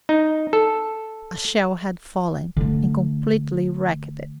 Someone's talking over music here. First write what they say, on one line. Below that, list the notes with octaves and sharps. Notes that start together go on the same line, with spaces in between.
A shell had fallen, and completely wrecked it.
D#4
A4
D3 A3